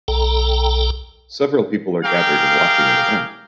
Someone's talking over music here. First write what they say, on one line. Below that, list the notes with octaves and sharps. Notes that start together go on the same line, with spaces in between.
Several people are gathered and watching an event.
B1 A4 G5 A#5
G4 G#4 A#4 F5 G5